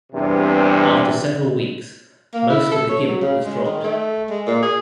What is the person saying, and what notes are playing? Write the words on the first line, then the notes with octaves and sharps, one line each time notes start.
After several weeks, most of the gimmick was dropped.
E2 G2 C3
A#3
E4
A4
C#5
F#3
C#3
G#3
D#3
A3
G#3
A#2
G#4